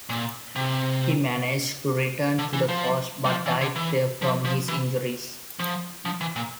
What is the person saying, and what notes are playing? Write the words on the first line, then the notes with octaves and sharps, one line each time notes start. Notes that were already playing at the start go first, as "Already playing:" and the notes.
He managed to return to the coast, but died there from his injuries.
A#2
C3
D3
E3
F3
G3
F3
E3
D3
E3
F3
F3
E3
F3
F3
E3
A#2